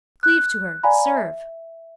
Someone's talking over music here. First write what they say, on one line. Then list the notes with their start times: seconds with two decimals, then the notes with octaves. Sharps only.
Cleave to her! Serve!
0.23 F#6
0.83 D5 F5 G#5 A#5 B5
1.17 E5